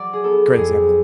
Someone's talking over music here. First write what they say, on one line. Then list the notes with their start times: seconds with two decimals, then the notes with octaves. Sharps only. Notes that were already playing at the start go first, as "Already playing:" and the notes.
Great example.
Already playing: F#3 D5
0.13 G#4
0.24 B3 A4
0.57 F2 G#4